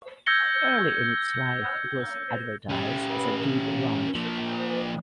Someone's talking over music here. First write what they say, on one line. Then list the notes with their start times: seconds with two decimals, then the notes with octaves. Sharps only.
Early in its life, it was advertised as a dude ranch.
0.26 E6 G6 G#6 A#6 C#7 G7
2.70 C#4 G4
4.15 F3 A#3